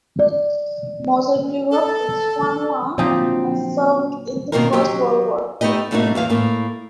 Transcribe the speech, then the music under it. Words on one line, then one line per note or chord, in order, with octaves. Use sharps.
Moser grew up in Swannanoa and served in the First World War.
D5
A4
A#2 D3 F3 F#3 C4 D#4 G4
B2 D#3 A#3 C4 D#4 A#4
F#3 G4 D#5
A3 B3 D#4 G4 D#5
A2 C3 A3 A#3 D#4 F#4
E2 E3 F5
A2 A#3